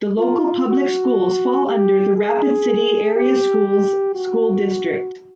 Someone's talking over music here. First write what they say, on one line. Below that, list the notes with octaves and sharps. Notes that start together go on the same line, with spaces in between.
The local public schools fall under the Rapid City Area Schools school district.
F4
F#4
G4
G#4
G4
F#4